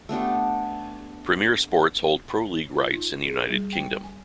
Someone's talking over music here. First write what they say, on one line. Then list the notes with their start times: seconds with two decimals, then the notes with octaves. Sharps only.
Premier Sports hold Pro League rights in the United Kingdom.
0.09 A3 B3 D4 G4
2.73 F4
2.94 D#4
3.25 G#4
3.50 G3
3.73 G5
4.04 G#5